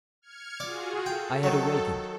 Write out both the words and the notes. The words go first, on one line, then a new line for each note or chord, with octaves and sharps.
I had awakened.
F6 G#6 C#7
F4 F#4 G#4 D5
A4 G5
D#3 F#3